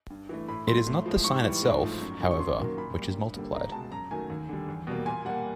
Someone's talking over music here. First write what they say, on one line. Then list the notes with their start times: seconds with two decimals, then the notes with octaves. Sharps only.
It is not the sign itself, however, which has multiplied.
0.10 G2
0.29 E3 A3
0.48 A2 B5
0.67 F#3 A3 C6
0.87 A2
1.06 F3 G#3
1.24 G#2 C#6
1.44 E3 G3
1.63 G#2
1.82 F3 A3
2.02 F#2
2.20 D3 F3
2.31 C#6
2.39 F#2 C6
2.59 D#3 F#3 A#3
2.77 A#2 B5
2.97 G3 A#3
3.16 G2
3.35 D3 G3 A#3
3.54 C#2 A#5
3.72 B2 G#3 A5
3.91 F#2 A#5
4.11 D#3 F#3 A3 G#5
4.30 D#2
4.49 D3 G3
4.68 E2
4.87 B2 G3 A#3
5.06 A#2 G#5
5.25 G3 A#3 F#5